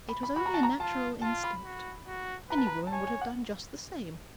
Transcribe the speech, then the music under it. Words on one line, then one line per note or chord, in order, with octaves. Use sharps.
'It was only a natural instinct; any woman would have done just the same.
B5
B5
F#4 B5
A#5
A5
A#5
F4 A5
F4 A5
B5
F#4
F#4
B4 A#5
A5
A#5
A5
C#5 G#5
G#5
F#5